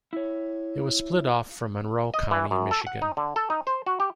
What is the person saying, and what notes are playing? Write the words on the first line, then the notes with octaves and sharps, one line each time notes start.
It was split off from Monroe County, Michigan.
E4 C#5
D#5
E3
F#2
A4
F#5
D#4
D3
A4
D#4
C5
F#4
G4